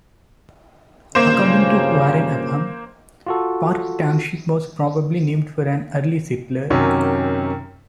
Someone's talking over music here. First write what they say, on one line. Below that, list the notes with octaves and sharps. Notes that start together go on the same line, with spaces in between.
According to Warren Upham, Parke Township was probably named for an early settler.
G2 A#2 C#3 A#3 C5
F4 F#4 A4
F#2 C3 D#3 C#4